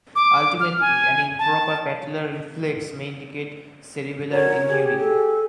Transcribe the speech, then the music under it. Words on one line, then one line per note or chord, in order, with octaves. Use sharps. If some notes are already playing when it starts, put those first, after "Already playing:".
Ultimately, an improper patellar reflex may indicate cerebellar injury.
D6
F6
G#5
A5
C#4 F#4 A#4 C#5
G4 G#4
A4